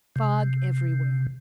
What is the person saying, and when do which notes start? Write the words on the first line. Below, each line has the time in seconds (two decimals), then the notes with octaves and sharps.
Fog everywhere.
0.16 C3